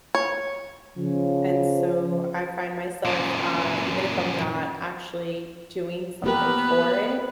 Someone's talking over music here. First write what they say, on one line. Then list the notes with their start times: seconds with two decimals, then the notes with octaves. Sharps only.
And, so, I find myself, uh even if I'm not actually doing something for it
0.15 C#5
0.97 C#3 F3
3.05 F#2 A#2
6.24 A#3 B3 G4 A#4 B4